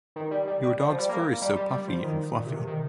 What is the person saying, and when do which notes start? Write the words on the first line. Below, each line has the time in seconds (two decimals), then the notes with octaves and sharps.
Your dog’s fur is so puffy and fluffy.
0.16 D#3
0.31 G3
0.47 G3
0.63 G3
0.79 G3
0.89 F3
0.99 G3
1.09 A#3
1.42 G3
1.56 G3
1.73 G3
1.88 F3
2.04 D#3
2.36 A#2
2.46 C3
2.52 D#3
2.56 C3
2.67 D#3